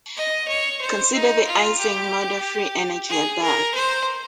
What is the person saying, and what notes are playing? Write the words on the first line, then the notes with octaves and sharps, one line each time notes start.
Consider the Ising model free energy above.
D#5
C#5
C5
D#4
F4
G4
G#4
A#4
C5